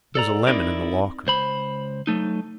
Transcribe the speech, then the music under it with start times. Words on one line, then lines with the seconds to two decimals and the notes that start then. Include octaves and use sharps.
There's a lemon in the locker.
0.15 A4 D5 A#5
0.47 C4 D#4 E4 A#4 D5
1.27 C#2 C5 B5
2.07 F#3 A3 D#4